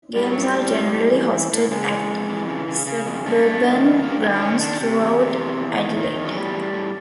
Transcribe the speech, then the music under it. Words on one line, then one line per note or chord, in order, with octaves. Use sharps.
Games are generally hosted at suburban grounds throughout Adelaide.
A2 G3
F#3
A2
G3
A2
A2
A2
E3
E3
A2
C#3 G#3
E3
F2
E3
C#3
C#3
C#3
F2
G2 A3
G2
D#3
G2
G2 A#3
D#3 B3
D4
D#3 C#4
D#3 D4
C3
E2
C3
E2
E2
D#3
D#3
E2
F#3
A2 G3
A2
A2